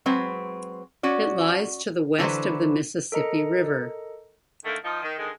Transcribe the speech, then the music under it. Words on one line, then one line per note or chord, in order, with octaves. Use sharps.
It lies to the west of the Mississippi River.
F#3 G#3 C4 B4
C#4 F#4 D5
D3 E3 F#3 B4 C5
A4 A#4 D#5 A#5 C#7
D3 D#3 A3 A#3
F3 D#4
D#3
D3 D#3 G#3